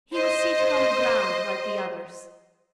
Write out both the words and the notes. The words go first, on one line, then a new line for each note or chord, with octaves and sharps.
He was seated on the ground like the others.
C5 D#5